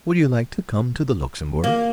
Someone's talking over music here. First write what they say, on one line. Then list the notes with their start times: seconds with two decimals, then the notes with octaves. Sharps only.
"Would you like to come to the Luxembourg?"
1.64 A#3